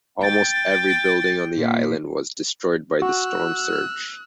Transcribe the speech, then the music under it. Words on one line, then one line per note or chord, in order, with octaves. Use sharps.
Almost every building on the island was destroyed by the storm surge.
G5 A6
A#2
F#4 E6 F#6